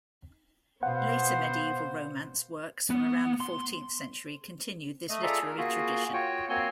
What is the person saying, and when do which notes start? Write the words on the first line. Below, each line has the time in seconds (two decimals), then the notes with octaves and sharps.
Later medieval romance works from around the fourteenth century continued this literary tradition.
0.83 B2 B3 C5 F5 F#5
2.90 B3
3.40 C6
5.09 A3 D#5
5.23 F4 G#4 A4 D5 E5 A#5
5.45 A#4
5.57 A#3 F4 F#4 G#4
6.13 F4 F#4 C#5 G5
6.49 A#3 C4 F#4 C#5 G#5 C6